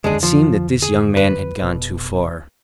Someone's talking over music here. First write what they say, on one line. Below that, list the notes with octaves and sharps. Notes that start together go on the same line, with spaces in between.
It seemed that this young man had gone too far.
F2 D3 D#3 G#3 D4 G#4
F3
G#4
B4
F1 B2